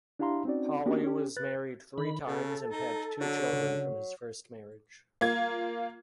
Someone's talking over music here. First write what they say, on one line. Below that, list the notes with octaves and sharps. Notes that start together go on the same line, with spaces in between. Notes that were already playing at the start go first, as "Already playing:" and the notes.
Poli was married three times and had two children from his first marriage.
D4 E4 G4 F5 A#5 C6
C4 C#4 D#4 F#4 D5
A#3 B3 C#4 D4 F#4 G4
C#4 G4
B4 F#6 A6
D#3 B5
C#3 A4
D#4
D3 F#3
C#3
A#3 F4 G#6